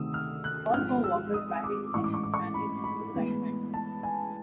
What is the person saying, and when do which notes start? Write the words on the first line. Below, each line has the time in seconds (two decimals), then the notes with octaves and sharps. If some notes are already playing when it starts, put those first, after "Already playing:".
All four Walkers batted left-handed and threw right-handed.
Already playing: D2 C3 D#3 D#6 E6
0.14 F6
0.44 F#6
0.74 G#1 G#2 F3 F6
1.04 E6
1.34 D#6
1.64 D6
1.94 A1 G#2 E3 C#6
2.04 D6
2.14 C#6
2.24 D6
2.34 C#6
2.54 B5
2.84 B5
3.14 A2 E3 G#3 B3
3.74 A5
4.03 G#5